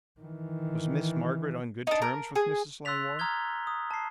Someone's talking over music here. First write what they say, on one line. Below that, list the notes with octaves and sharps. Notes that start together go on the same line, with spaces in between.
"Was Miss Margaret on good terms with Mrs. Langmore?"
D#3 E3
D4 D#4
A#4
G#4
C6 E6 F#6 A6 B6 F7
A#5 D#6 F6 G#6 G7
D#6
A5 C7